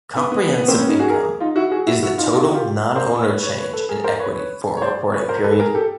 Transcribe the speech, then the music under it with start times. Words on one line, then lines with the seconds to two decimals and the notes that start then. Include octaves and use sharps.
"Comprehensive income" is the total non-owner change in equity for a reporting period.
0.17 B3
0.32 B3
0.48 B3
0.58 B3
0.68 A#3 C4
0.79 B3 C#4
0.89 C#4 D#4
0.99 F#4 G#4
1.09 G#4 A#4
1.40 D#4 F4
1.56 E4 F#4
1.71 F#4 G#4
1.87 E4 F#4
2.03 E4 F#4
2.18 D#4 F4
2.33 D#4 F4
2.44 E4 F#4
2.54 F4 G4
2.95 A#4 C5
3.26 B4 C#5
3.42 B4 C#5
3.58 B4 C#5
3.73 A4 B4
3.89 G#4 A#4
4.04 A#4 C5
4.19 B4 C#5
4.35 B4 C#5
4.77 C#5
4.82 C5 D5
5.13 B4 C#5
5.28 A#4 C5
5.44 A4 B4
5.59 G#4 A#4
5.75 G4 A4